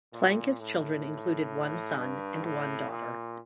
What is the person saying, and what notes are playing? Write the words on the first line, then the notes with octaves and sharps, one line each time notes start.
Plancus children included one son and one daughter.
A#2
A2
G2
A2
A#2